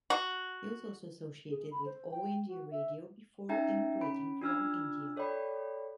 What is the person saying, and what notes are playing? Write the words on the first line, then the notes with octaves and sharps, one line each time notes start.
He was also associated with All India Radio before emigrating from India.
F#4
G#4
B5
C5
G5
F#4
E5
C#4 D#4 E5 G5 A#5
C#4 B5 D7
D4 F4 E6 F6 G#6
A4 C#5 D5 G5 B5